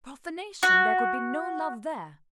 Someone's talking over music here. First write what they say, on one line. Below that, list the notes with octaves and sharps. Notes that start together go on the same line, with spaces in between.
Profanation! There could be no love there.
F#4